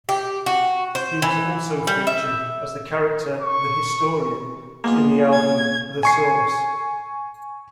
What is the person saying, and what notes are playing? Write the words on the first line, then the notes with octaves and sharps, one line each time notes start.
He was also featured as the character "The Historian" in the album "The Source".
G4
F#4
C5
E3
G3
E5
C#6
G#3 A#3 B3 F4
G#6
G#5 C#6 C7